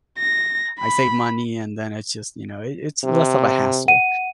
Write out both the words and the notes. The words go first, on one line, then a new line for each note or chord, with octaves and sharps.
I save money and then it's just, you know, it it's less of a hassle,
A#6
B5
C3
F#5 D#7